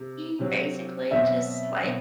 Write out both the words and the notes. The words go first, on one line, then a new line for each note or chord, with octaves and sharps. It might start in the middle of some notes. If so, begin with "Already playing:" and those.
he basically just like
Already playing: C3
C3 F#3 C4
B2 F#3 C4 E5
B2 F#3 C4